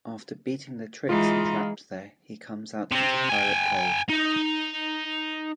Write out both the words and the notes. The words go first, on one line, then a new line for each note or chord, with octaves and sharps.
After beating the tricks and traps there, he comes out into Pirate Cove.
E3 G#3 D#4 F4
C3 C4
G5 G#5
D#4